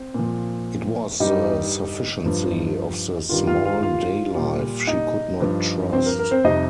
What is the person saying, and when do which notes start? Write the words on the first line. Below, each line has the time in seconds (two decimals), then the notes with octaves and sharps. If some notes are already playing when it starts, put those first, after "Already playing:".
It was the sufficiency of the small day-life she could not trust.
Already playing: C4
0.14 A#2 F3
1.20 G2 G3 D#4 D#5
2.25 G2 F3
3.29 G2 D#3 G3 F4 F5
3.47 F4 F5
3.65 F4 F5
3.83 F4 F5
4.35 A#2 G3
4.87 D#4 D#5
5.40 G2 F3
5.92 C4 C5
6.06 A#4
6.19 A#4
6.31 C4 C5
6.44 F2 C3 G3 D#4 D#5